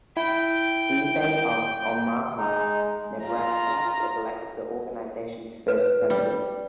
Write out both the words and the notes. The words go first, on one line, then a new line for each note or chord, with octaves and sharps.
Seavey of Omaha, Nebraska, was elected the organization's first president.
E4 G5
G#3 D#4
F4 A#5
B4
G3